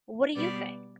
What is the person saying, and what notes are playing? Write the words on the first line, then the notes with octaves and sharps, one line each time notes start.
What do you think?
B2 G3 B3 D5